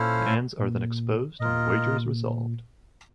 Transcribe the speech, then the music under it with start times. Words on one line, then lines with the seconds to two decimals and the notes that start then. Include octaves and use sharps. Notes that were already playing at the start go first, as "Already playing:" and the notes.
Hands are then exposed and wagers resolved.
Already playing: A#2 C#4 E4 A4 C5 F5
0.59 A#2
1.40 A#2 F4 A#4 D#5